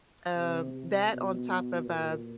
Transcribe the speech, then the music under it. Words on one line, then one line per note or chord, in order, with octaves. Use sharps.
um, that, on top of, uh,
C3
C3
B2
A#2